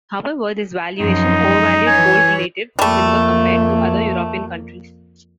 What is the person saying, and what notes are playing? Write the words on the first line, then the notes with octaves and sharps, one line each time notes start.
However, this valuation overvalued gold relative to silver compared to other European countries.
F#2 F3 D#4
E3 C#5 G#5
F2 G3 A3 A#3